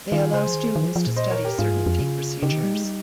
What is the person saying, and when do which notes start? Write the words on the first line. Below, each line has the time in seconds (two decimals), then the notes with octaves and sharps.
They allow students to study certain tea procedures.
0.12 D#3 F4 G#4
0.33 C#3 G#4 C5
0.48 F3
0.54 D#3
0.76 D#3
0.85 F3
0.96 F3
1.07 A#2
1.16 C5 D#5
1.30 A#4 C#5
1.44 G4 A#4
1.58 G#2 F4 G#4
1.72 G2
1.86 F2
2.01 C#3
2.42 C#3 D#4 G4
2.52 D#3
2.63 G3
2.73 G#3
2.84 G3